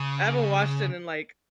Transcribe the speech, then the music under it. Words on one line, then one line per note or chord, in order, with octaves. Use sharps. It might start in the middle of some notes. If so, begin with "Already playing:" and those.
I haven't watched it in, like,
Already playing: C#3